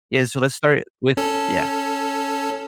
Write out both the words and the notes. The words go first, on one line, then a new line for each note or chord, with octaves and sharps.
Yeah, so let's start with yeah.
C#4 A4